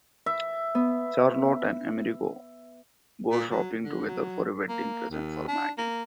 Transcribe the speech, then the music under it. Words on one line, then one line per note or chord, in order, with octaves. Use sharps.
Charlotte and Amerigo go shopping together for a wedding present for Maggie.
E5
B3
A#2
F#3
D3
F#3
A#3
D#2
D4
A#3